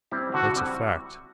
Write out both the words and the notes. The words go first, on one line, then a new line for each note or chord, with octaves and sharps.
"That's a fact?"
G3 C4 E4
D3 F#4
G3 C4 E4